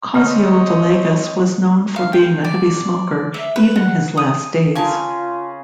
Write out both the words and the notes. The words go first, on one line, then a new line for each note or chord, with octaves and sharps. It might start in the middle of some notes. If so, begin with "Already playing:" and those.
Cosio Villegas was known for being a heavy smoker, even his last days.
D3 A#3 C4 C#5 D#5 F6
F5
G5
D5
E5
B4
F#5
D#6
C#3 F4 G#4 A#4 G#5 A5